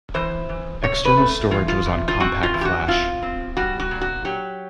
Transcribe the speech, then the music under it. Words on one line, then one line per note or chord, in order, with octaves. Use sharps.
External storage was on CompactFlash.
E3 C5
E3
C3 C#5
B4
A3
E3 F4
F4
E3
F4
C4 F#4
F4
E3
G4
F#4
C4 F4
C4
G3 F#4
F#4
A#2
F#4
F#3 G4